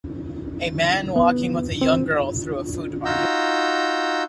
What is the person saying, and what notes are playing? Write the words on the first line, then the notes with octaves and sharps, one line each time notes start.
A man walking with a young girl through a food market.
B3
C4
D#4 F4 F#4 A#5 E6 G6